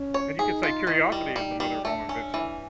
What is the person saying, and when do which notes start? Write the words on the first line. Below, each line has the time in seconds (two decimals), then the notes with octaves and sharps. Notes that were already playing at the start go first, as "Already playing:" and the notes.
And you can say curiosity is the mother of all invention.
Already playing: C#4
0.14 C#5
0.39 D#4 G#4
0.63 F4
0.87 D#3 E4
1.12 G3
1.36 G3 D#4
1.60 G3
1.85 A3 D4
2.09 C#4
2.34 E3